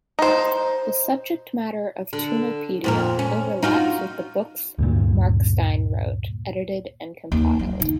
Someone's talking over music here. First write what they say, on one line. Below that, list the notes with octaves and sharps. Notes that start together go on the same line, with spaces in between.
The subject matter of Toonopedia overlaps with the books Markstein wrote, edited and compiled.
D#4 C5
D3
F2 A#2 A#4
C#4
D#4 F4 F#4
D2 G2 A#2
D#2
F#3
D#3